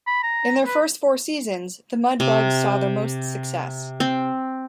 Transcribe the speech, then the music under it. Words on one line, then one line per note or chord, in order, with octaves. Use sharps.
In their first four seasons, the Mudbugs saw their most success.
B5
A#5
B4
C3
C4